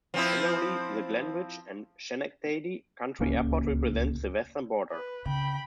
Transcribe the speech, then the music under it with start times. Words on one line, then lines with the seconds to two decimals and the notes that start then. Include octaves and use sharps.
Generally, the Glenridge and Schenectady Country Airport represents the western border.
0.14 F3 C4 E4
3.19 D1 C#2 A#3 C#4
4.91 B4
5.26 C#3 G5 B5